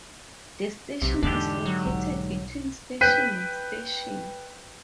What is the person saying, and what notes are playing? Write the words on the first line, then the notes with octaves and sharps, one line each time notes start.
The station is located between station and station.
B1 C3
E2 G#2 D3 E3 D4 G4
F#3
B1
B4 G5 F#6 G6 B6 D#7